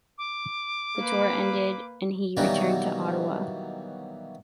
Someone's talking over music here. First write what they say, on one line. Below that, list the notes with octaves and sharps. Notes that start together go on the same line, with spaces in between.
The tour ended and he returned to Ottawa.
D6
A#3 B4
B2 D#3 E3 F#3 G3 A#3